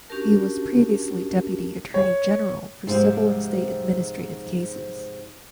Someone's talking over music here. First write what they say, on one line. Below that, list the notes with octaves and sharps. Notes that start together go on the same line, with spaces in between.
He was previously deputy attorney general for civil and state administrative cases.
C#4 D4 F#4 G4 A#4 A5
C#5
G#2 C3 F3 G#3 C4